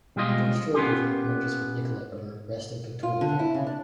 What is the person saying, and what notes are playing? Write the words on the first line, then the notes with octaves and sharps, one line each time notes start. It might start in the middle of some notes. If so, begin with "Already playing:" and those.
The Bulstrode River merges with Nicolet River west of Victoriaville.
B2 G3 G#3 F4 D#5
B3 C#4 F4 G4
F4
D3
E4
C#3
D4